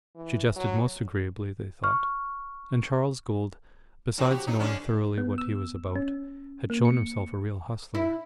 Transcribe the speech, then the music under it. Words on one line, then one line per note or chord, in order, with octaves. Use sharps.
She jested most agreeably, they thought; and Charles Gould, besides knowing thoroughly what he was about, had shown himself a real hustler.
E3
F#3
C#6 F6
A2 C4 F#4
F#4 G4
F#3 D#4
D3 C#4 D4
B3
E6
C#4
A#3
C#7
E4